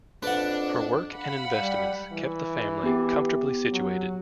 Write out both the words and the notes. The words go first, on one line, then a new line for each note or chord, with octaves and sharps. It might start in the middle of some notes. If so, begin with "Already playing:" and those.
Her work and investments kept the family comfortably situated.
F2 D4 B4 F#5
F5 F#5 B5
G3
E3
B3 G4
F#3